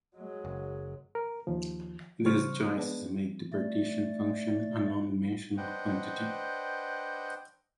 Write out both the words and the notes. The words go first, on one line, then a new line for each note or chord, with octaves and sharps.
These choices make the partition function a nondimensional quantity.
F#3 G#3
F#1
A#4
D#2 F3
C#3 G3 C5 C#6 F6
G#3 B3 D4
A3 D5
D4 B4 C5 D#5 F#5 G5